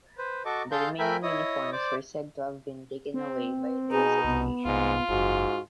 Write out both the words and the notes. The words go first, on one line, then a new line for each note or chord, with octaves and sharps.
The remaining uniforms were said to have been taken away by the association.
B4 C5
F#4 A4 D#5 A5 C#6 D6
G#4 A4 F5 A5 C6 G6
A3 A#4 E5 G5 G#5 B5
E4 C#5 D#5 D#6
C5 D5 D6
C4
B2 D#4 G#4
C2 B3
C2 G#2 F4
F#1 G#2 F#4